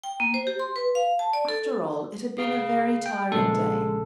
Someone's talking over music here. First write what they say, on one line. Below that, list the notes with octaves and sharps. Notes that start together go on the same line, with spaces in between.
After all, it had been a very tiring day.
G5
A#3
C5
G4
C6
B4
F5
A5
D5
A4
G#4 F5
G5
A#1 C#3 G#3 G#4 A4